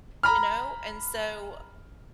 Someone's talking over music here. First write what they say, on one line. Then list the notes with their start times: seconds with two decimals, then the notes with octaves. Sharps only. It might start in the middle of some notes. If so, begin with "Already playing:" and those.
you know? And so,
0.23 A#5 B5 F6